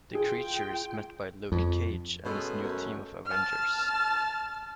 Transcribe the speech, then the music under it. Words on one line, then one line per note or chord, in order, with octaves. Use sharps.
The creature is met by Luke Cage and his new team of Avengers.
F4 G#4 G5
F2
B2 G#3 A3 C#4
F#2
A5 F6